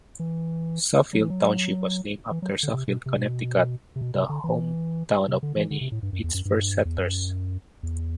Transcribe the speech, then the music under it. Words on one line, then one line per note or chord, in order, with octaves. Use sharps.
Suffield Township was named after Suffield, Connecticut, the hometown of many its first settlers.
E3
F#3
E3
F#3
E3
F#3
D3
C3
B2
C3
B2
C3
B2
C3
D3
E3
C3
D3
E3
D3
C3
A2
G2
F#2
E2
F#2
G2
E2
F#2
E2